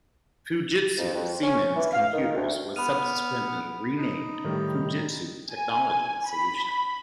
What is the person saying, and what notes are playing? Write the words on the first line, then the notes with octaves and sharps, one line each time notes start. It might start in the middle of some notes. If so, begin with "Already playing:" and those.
Fujitsu Siemens Computers was subsequently renamed Fujitsu Technology Solutions.
F2
F2
C#4
E3
F5
D#3
D2
B3 B5 F6 D#7
D#4
A2 D#3 G3
G#5
B5